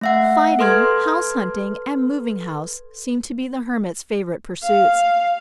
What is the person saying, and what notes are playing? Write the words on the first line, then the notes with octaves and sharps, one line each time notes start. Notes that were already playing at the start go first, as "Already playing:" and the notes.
Fighting, house-hunting, and moving house seem to be the Hermit's favourite pursuits.
A3 E5 F#5
A4 B4 C6 F6 G#6
F5